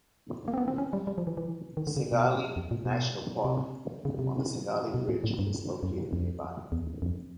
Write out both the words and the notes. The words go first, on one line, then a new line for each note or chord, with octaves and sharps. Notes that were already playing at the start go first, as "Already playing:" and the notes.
Singalila National Park on the Singalila Ridge is located nearby.
A#3
C4
B3
C4
C#4
G3
G3
F3
E3
E3
D#3
D3
C#3
B2
F2
A#2
B2
C3
C#3
C3
B2
A#2
A2
G2
F#2
F2
E2
F2